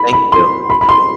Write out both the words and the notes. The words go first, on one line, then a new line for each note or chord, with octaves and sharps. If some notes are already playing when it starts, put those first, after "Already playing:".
Thank you.
Already playing: B5
B5
C6
B5
B5
C6